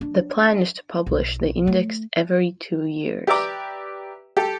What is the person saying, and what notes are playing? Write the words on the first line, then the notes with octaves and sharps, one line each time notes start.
The plan is to publish the index every two years.
D4
B1
A3
G4 B4 D5 E5 A#5 D6
G4 A4